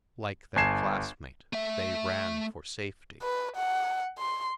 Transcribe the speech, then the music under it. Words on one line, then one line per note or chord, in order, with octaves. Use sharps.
Like their classmate, they ran for safety.
G1 G#5 A5 G#6 C7 E7
A3 E5
B4
F#5
C6